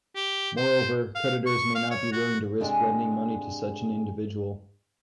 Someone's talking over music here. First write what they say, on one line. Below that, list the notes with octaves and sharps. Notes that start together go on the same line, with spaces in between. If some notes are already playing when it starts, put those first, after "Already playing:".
Moreover, creditors may not be willing to risk lending money to such an individual.
G4
C5
F5
C#6
F5
C#5
F#4
C3 G#3 D4 F#4 G#4